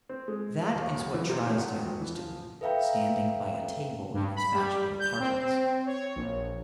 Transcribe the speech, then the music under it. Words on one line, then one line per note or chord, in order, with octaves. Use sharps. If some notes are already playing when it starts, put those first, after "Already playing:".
That is what Trysdale was doing, standing by a table in his bachelor apartments.
C4
G#3
F2
D#2
F#2
E3
C3
A2
F#5
G#1
E3
F3
A4 B4 E5 F5 G5 A#5
G2
B5
G3
G6
C4
C#5
A#1